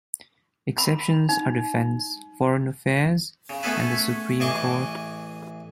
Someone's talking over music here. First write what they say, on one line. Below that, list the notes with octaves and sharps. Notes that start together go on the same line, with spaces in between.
Exceptions are defence, foreign affairs, and the Supreme Court.
B5
D#4
C#3
A3 B3 C#4 G#4 A4 B4
A1 E3 G#4 D#5 C#6 D6